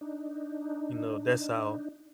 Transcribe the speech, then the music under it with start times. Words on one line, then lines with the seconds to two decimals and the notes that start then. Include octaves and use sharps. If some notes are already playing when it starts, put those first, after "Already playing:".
You know, that's how
0.01 D4 D#4